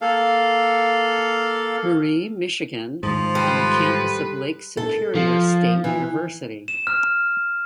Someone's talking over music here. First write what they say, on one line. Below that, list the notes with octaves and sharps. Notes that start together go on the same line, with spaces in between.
Marie, Michigan on the campus of Lake Superior State University.
A#3 A4 F5
G#2 D#3 F3
G3 A4 B4 C5
A4
F3
E3
E7
F6